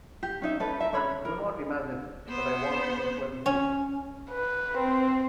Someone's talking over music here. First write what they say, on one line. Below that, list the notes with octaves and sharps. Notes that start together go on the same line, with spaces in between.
But do not imagine that I want to influence you.
G4
C#4 D#4 E5
C#4 A4 B4
A#4 E5
C#4 C#5 B5
A#4
B3 C5
C#4
B4
C4